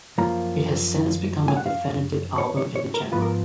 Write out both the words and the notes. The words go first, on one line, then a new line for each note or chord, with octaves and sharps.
It has since become a definitive album in the genre.
F#2 F3 A#3 F4 A#5
G#5
F#5
F5
C#5
C#5
C#5
A#4
G#2 F3 B3 F4 B4
A#4